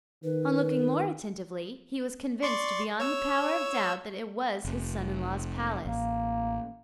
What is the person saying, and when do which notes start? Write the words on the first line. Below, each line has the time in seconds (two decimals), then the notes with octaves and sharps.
On looking more attentively, he was convinced beyond the power of doubt that it was his son-in-law's palace.
0.24 D#3 B4
2.43 D5 C6 C#6
3.00 C#5 E6
4.64 F1
5.85 A1 A#3